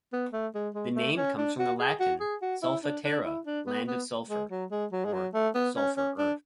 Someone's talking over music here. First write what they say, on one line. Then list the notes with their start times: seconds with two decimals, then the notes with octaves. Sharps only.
The name comes from the Latin, "Sulpha terra", "land of sulfur", or "sulfur earth".
0.13 B3
0.33 A3
0.54 G#3
0.75 G#3
0.96 A3
1.17 C#4
1.38 D4
1.59 F#4
1.79 G#4
2.00 F#4
2.21 G#4
2.42 F#4
2.63 E4
2.84 D4
3.05 D4
3.25 E4
3.46 D4
3.67 B3
3.88 B3
4.30 G#3
4.51 F#3
4.71 G#3
4.92 F#3
5.05 G#3
5.13 F#3
5.34 A3
5.55 B3
5.76 C#4
5.97 C#4
6.18 D4